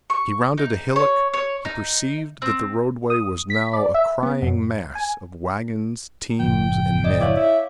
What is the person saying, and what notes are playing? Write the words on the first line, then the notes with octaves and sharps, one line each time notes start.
As he rounded a hillock, he perceived that the roadway was now a crying mass of wagons, teams, and men.
C#6
D#4
C#5
C#5
D#4
C4
D#6
B6
D5
E5
B3
F#2
G#5
F#1 A2 F3 G5
D5 D#5
E4 C#5 F5 D6
E4 E5